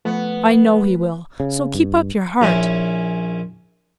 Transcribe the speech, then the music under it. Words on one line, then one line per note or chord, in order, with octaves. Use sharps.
I know he will; so keep up your heart.
F3 A3 B3
C#3
G2
A#1 C#4 E4